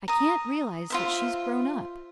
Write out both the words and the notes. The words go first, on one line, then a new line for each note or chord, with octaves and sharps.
I can't realize that she's grown up.
A#5 D#6
F4 C5 E5